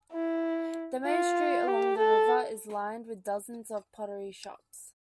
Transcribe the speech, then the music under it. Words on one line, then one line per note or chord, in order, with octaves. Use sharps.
The main street along the river is lined with dozens of pottery shops.
E4
F4
G4
A4